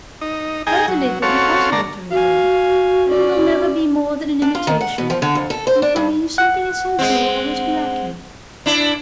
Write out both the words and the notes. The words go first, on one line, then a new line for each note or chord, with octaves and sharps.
Certainly it will be possible to rebuild, but it will never be more than an imitation, and for me something essential will always be lacking.
D#4
D#4 G#4 G5 G#5 A#5
F#3
C4 C#4 F#4 A4 C#5 F5
D3 A#3 D4 A5 A#5
F#4 F5 G#5
C#4 D5
D4
F4
D#3
F#5
B2
F3
D3
F2
A4
C5
D4
G2
F#5
G#3 C4
D4 E4